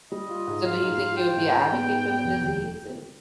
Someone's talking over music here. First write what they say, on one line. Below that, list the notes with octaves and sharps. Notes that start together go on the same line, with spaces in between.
So do you think you'll be a advocate for the disease? And
G3 D#5
F4
G#2
F4 F5
G#2
F4
F4 G5
G#2
G#2
B3
G#2
B3
F1
D#2